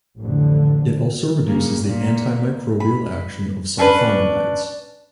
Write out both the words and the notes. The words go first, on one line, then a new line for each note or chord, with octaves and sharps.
It also reduces the antimicrobial action of sulfonamides.
A1 F2 D3
C#3 A#3
A#2 A#3
B5
C#4 D4 A4 B4